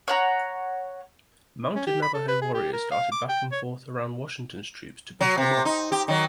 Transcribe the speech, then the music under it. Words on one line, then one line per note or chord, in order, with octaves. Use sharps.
Mounted Navajo warriors darted back and forth around Washington's troops to push them off.
C#5 F#5 A#5
C#4
G4
B5
A4
B4
G#4
G4
A#4
F5
D6
G5
C#5
F#3
C3
D#4
G4
D#3 F#3